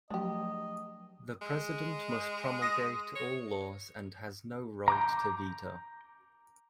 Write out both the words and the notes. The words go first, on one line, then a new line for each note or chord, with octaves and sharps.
The president must promulgate all laws and has no right to veto.
F3 F#3 A3 D4 G4 D#5
G#3
D#6 A#6 D#7
C#5
A#5 D6 G6